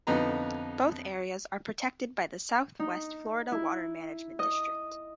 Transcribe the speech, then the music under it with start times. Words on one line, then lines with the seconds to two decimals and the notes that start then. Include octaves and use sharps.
Both areas are protected by the Southwest Florida Water Management District.
0.07 F2 D3 B3 D#4 B4 A#5
2.80 D#4
3.52 E4
4.39 D#5